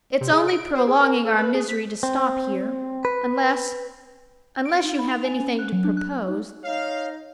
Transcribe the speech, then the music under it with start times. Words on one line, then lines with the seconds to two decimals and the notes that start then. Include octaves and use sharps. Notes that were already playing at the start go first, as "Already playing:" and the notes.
"It's only prolonging our misery to stop here, unless--unless you have anything to propose?"
0.21 C3
0.33 G#4
0.47 D7
0.75 C5
0.88 G#4
1.00 A#4
1.25 A4
1.38 B4
1.55 G#4
1.68 B6
2.03 C4
3.05 B4
4.65 D7
4.84 D#4
4.99 B5
5.11 F7
5.24 G#5
5.40 C#4
5.59 F#6
5.72 F#3
5.84 D4
5.97 F#6
6.11 F#6
6.28 D#4
6.64 D#4 C#5 F5